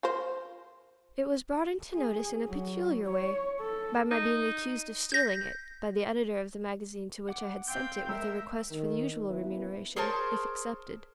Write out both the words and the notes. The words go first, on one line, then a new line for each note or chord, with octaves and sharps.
It was brought into notice in a peculiar way,--by my being accused of stealing it, by the editor of the magazine to which I had sent it with a request for the usual remuneration, if accepted.
F4 A#4 C5
G#4
F#3
C#5
A4
D#4
G6 A#6
F#5 D6
C4 F5 G5 G6
G#3 A#4 E5 E6
D#3
F#2 A#2 B3 E4 B4
G#4 A#4 C5 C#5 A5